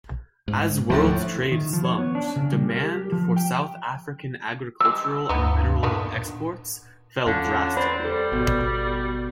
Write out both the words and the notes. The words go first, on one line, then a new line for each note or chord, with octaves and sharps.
As world trade slumped, demand for South African agricultural and mineral exports fell drastically.
G#2
D2 A2 F3 F#5 A5
D#3
F3
C#5
B3
D4
C#3
G3
A#4
G4
F3
G5
G3 G#3 E6
D2 G2 B3 D#4
A#2 D3 D#3 B3
E2 D3 C#4 F4
C4 B4 C5 D5 B5
G3 A4
G#1 B2